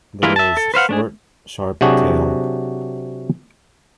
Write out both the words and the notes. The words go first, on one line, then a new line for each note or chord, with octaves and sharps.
There is short, sharp tail.
E3 G#3 A#3 E4 F4
E5 A5
A4
B4 C5 F5 F#5
A3 D4 G#4
C3 F#3 D4 F#4 G#4